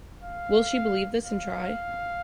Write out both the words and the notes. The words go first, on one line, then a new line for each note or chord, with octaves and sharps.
Will she believe this and try?
F5
F5